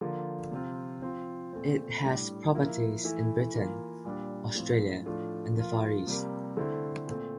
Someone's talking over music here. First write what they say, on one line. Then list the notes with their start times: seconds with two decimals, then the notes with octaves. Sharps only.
It has properties in Britain, Australia and the Far East.
0.01 D3 F3 A#3 F4
0.52 C3 F3 C4 F4
1.02 F3 C4 F4
1.53 A#2 A3 C4
2.03 A2 G3 D4
2.53 F3 A#3 E4
3.04 E3 A3 E4
3.54 E3 A#3 F4
4.05 A#2 G3 D4
4.55 A2 F3 C4
5.06 A2 F3 A3 D4 F4
5.56 F3 A#3 F4
6.07 C3 G3 A#3
6.57 D3 A3 C4 E4
7.07 A#2 A3 C4